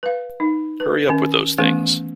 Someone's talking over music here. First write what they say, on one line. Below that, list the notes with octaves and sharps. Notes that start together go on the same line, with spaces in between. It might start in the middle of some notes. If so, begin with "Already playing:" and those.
Hurry up with those things.
B4 F5
D#4
B4
D#3 C#4
E3 A3 B3 C#4